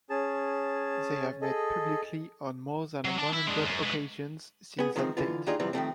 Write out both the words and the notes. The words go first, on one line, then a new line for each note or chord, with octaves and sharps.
They have met publicly on more than one hundred occasions since that date.
C#4 G#4 A5
G#4 A4 D#5
F#3
D4 A5
E4
G#3 D4
F#2
G#3 B4
B3 G#4
D#3 F3 G#3 A#3 C4
D3 E3 F4
D#2 D4 D#4 F4 G#4 D5
F#2 C3 E3 F3 G3 C4
D#3 F3 A3 C4